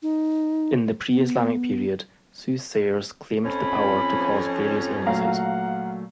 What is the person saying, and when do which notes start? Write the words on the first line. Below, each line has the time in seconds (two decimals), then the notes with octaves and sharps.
In the pre-Islamic period, soothsayers claimed the power to cause various illnesses.
0.02 D#4
1.11 B3
3.45 F2 C#4 B5
5.06 A#2 F#3 A3 F5 F#5 A#5